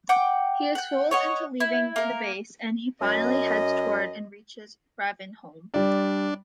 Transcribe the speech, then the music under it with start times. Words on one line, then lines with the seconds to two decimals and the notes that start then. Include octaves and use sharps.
He is fooled into leaving the base, and finally heads toward and reaches Ravenholm.
0.09 F#5 G5 D6
0.75 F#5 G5
1.11 C#5 D#5 F#5
1.60 E4
1.96 A#3 A#4
3.01 F#2 D#5
5.74 G3 D4 D5